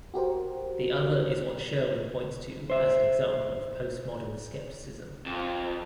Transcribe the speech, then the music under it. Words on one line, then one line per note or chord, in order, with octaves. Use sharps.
The other is what Sherwin points to as an example of postmodern skepticism.
F#4 G4 A#4 C5
C5 E5
F2